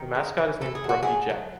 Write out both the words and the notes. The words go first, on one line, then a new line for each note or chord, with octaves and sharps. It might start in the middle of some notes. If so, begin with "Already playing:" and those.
The mascot is named "Brumby Jack".
Already playing: D#3
G#3
E3
A3 A4
G#4
F#3 F#4
A3 E4 G#4
F#3